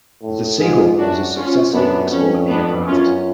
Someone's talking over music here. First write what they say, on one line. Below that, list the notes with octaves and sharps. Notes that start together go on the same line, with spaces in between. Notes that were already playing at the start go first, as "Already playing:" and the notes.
The Sea Hawk was a successful export aircraft.
A2
G#2 F4 G#4
F#2 D4 F#4
C#4 F4
F#2 B3 D4
F2 C#4
B3 D4
F#2 C#4 F4